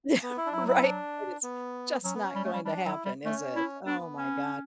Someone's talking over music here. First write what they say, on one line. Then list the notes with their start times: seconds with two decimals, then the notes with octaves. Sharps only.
Yeah, right? It is just not going to happen, is it? Oh, my god.
0.23 B3
0.37 E4
0.46 D4
0.53 F#3 E4
0.68 E4
0.83 D4
1.43 B3
2.04 F#3 C#4
2.14 B3
2.23 C#4
2.35 G3
2.44 A3
2.54 G3
2.65 G3 D4
2.85 F#3 E4
3.05 G3
3.25 A3 C#4
3.56 E4
3.86 B3 D4
4.17 C#4